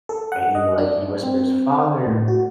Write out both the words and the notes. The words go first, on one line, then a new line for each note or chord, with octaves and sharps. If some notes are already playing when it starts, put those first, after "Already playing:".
and he, like, he whispers, "Father,"
A4
F#5
D#5
D4
C4
A2
F#4